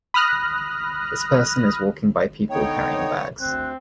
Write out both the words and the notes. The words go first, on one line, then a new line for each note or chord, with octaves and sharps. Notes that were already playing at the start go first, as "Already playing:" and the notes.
This person is walking by people carrying bags.
B5 D#6 F6 F#6 A#6
D3 B3 D#4 C#5 G5
D2 C4 F#6